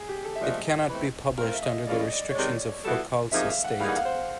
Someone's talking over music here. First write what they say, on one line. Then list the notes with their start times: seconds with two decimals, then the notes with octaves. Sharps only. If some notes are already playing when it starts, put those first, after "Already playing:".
It cannot be published under the restrictions of Foucault's estate.
Already playing: G#4
0.09 G4
0.25 A4
0.36 E5
0.42 A#2 F3 A3 D4 D#5
0.89 E3 A3 C4
1.38 A3 C4 F4 A#4 F5
1.54 E5
1.63 D#5
1.87 A2 E3 G#3 C#4 F4 D5
2.00 D#5
2.13 D5
2.30 C#5
2.35 C3 D#3 G#3 D5
2.84 B2 G3 B3 E4 A4
3.32 C3 F3 A#3 D#4 G#4 E5
3.44 E5
3.49 F5
3.64 F#5
3.80 E3 G3 A#3 D#4 G#4 F5
3.89 F#5
3.96 F5
4.05 C5